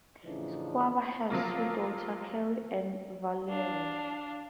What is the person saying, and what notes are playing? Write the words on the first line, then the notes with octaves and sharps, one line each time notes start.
Schwaber has two daughters, Carey and Valerie.
A2 C#3 E3 F3 D4 D#4
F3 F#3 A#3 F4
D4 F5